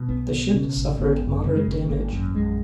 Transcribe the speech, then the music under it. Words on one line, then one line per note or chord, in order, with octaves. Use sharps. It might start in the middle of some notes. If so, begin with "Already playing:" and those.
The ship suffered moderate damage.
Already playing: B2
B1 B3
B2
C#3 C#4
G#1
G#1 B3
F#2
C#3 A#3
G#3
G#1 A#3
G#1 A#3
F#2
A#1 G#3